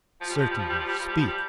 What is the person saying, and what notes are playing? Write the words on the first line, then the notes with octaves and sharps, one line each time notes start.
"Certainly, speak."
F3
G3
F3
G3
F3
G3
F3
G3
F3
G3
F3
G3